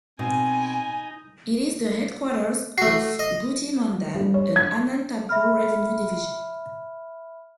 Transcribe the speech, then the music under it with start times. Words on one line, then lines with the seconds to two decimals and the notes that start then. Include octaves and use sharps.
It is the headquarters of Gooty mandal in Anantapur revenue division.
0.19 B2 C4 D#4 G#5
2.78 A3 F#4 C7
3.19 D#5
4.14 G3
4.34 C#5
4.56 G#6
5.29 E5 B5 F6